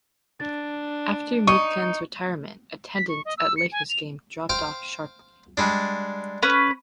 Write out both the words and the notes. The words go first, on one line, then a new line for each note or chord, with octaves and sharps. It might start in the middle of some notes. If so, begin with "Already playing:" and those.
After Mikan's retirement, attendance at Lakers games dropped off sharply.
D4 A6
D#4 D#5 C#6 D#7
B6
C#6
D#5
E6
C#7
G#5
F7
C5 F5 G5
G3 G#3 D4
C#4 B4